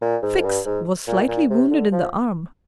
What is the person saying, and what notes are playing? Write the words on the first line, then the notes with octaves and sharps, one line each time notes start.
Fix was slightly wounded in the arm.
A#2
G#2
F2
G2
G#2
A#2
A#2
C3
D3
F3